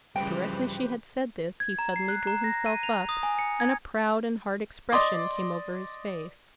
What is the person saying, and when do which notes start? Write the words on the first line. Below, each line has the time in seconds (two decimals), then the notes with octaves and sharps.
But directly she had said this he suddenly drew himself up, and a proud and hard expression came over his face.
0.16 G2 C#3 E3 F3 G4 B4 C5 G5
1.60 G#6
1.79 A#5
1.96 C7
2.08 F#6
2.27 A#5
2.44 A#6
2.66 D#7
2.83 F7
3.09 D#6
3.23 G#5
3.39 C#7
3.60 G#6
4.92 D5 D#5 C6 D6